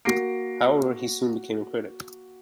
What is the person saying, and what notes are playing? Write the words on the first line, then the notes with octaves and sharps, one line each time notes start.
However, he soon became a critic.
A#3 F#4 A#6 C7 D7